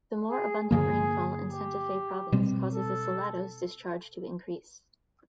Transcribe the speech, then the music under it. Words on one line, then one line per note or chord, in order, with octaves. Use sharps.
The more abundant rainfall in Santa Fe Province causes the Salado's discharge to increase.
G#4
G2 D3 F3 A#3 G#4
G4
B2 G3 C4
A4